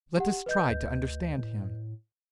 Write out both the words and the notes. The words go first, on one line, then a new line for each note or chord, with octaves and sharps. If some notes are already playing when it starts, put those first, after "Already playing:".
Let us try to understand him.
G4 F#5
B4 D#5 G6
D2
A2